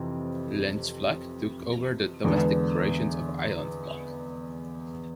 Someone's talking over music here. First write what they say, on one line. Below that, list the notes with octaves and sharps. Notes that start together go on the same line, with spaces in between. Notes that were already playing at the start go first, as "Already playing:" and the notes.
Landsflug took over the domestic operations of Islandsflug.
Already playing: F2 C3 E3
E2 D3 G#3 B3